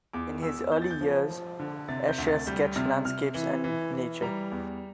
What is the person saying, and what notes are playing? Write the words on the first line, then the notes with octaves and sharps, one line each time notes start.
In his early years, Escher sketched landscapes and nature.
E2 D6
E2 E6
E2 G6
A6
G6
F3
F3
D3
C3 A6
G6
D2
A6
G3 G6
C3 F6
C3 F6
E3
E3
E3
G3 A#5
E2